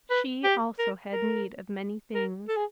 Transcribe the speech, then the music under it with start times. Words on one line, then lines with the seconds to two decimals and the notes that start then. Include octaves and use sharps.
She, also, had need of many things.
0.10 B4
0.44 G4
0.79 A#4
1.13 A#4
2.15 A#4
2.48 A4
2.56 G#4